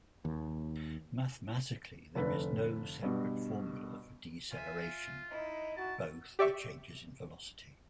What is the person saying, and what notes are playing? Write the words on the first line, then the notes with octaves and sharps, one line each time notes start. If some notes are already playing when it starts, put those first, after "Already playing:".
Mathematically, there is no separate formula for deceleration: both are changes in velocity.
D#2
F1 D3 A4 B4 B5
G2 B2
F4 E5 G#5
D#4 E4 D#5
F#4 A5
G4 D5 E5 C#6